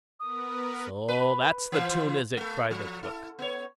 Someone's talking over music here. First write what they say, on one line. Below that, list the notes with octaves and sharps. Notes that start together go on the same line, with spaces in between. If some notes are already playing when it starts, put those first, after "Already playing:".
"So that's the toon, is it?" cried the cook.
B3 A#4 B4 D#6
B4
E3 F3 C5
A3 A4
F3
E4 A4
B3 C#5